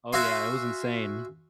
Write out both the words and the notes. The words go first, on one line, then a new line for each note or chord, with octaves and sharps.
Oh yeah, it was insane.
F#4 E5 F5 G#5 C6